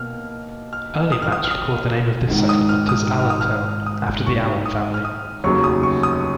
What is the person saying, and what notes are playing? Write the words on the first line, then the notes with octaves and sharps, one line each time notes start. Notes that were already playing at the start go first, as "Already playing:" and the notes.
Early maps record the name of this settlement as Allentown, after the Allen family.
Already playing: B2 A#3 F6
F6
D#6
F6
D#6
F6
D#6
G#1 G#2 D#3
D#6
F6
D#6
F6
D#6
F6
D#6
C#6
D#6
F6
D#6
F1 D#2 C#3 F#3 C#6
D#6
C#6
D#6